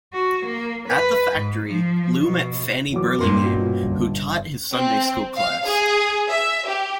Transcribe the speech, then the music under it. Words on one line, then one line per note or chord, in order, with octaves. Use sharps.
At the factory, Lue met Fannie Burlingame, who taught his Sunday School class.
F#4
A#3
B4
G#2
F3
B2
E3 F#3 D6
G2 A#2 C#4 A#4 C6
B2 F4
G1
C4
F5
G#4
E5
G4